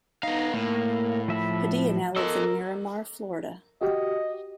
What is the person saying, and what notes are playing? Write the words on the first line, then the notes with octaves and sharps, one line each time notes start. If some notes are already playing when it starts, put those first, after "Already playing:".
Padilla now lives in Miramar, Florida.
B3 D#4 F5
A2 A#3
F3 E5 B5
A4 A#4 D#5 D6 E6
F#4 G4 D#5